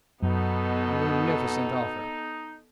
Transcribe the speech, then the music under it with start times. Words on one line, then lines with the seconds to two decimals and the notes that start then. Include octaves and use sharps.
"A munificent offer."
0.22 F#2 B2 B3 D#4 A4